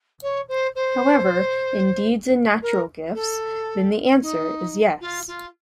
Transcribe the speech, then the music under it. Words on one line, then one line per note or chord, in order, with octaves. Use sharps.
However, in deeds and natural gifts, then the answer is yes.
C#5
C5
C5
A#4
A4
D#4
F4
F4